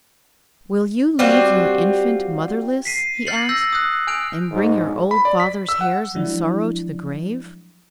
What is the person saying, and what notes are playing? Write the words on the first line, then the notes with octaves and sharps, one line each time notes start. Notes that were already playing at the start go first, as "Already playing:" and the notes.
'Will you leave your infant motherless?' he asked, 'and bring your old father's hairs in sorrow to the grave?'
G3 C4 F4 F#4
B6 C7 D#7
F6 G6 A6 C7 C#7 F#7
E6 G6 A#6
D#6 F#6
G#5 F6 G6 D7 F7
G#2
B5
D5
B6
E6
F#5
F3 F#3 G#3 D4 E4